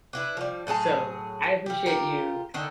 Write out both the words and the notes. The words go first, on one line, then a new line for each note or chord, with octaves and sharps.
So, I appreciate you.
D4 E4 B4
F3 G3
A2 F#3 G#4 A5
G3 G4
F4 G4 A#4
D3 D#3 D4